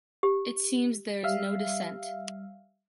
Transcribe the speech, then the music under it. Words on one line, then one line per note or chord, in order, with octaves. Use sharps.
It seems there is no dissent.
G4
G3 E5 F5